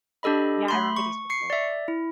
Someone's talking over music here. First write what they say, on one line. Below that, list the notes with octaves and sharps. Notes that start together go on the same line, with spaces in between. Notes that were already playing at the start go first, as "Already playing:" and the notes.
Yeah, I remember these pictures.
D4 G4 A4 D#5 B5
A3 B5 C6
C#6
C#6 C7 C#7
D5 E5
E4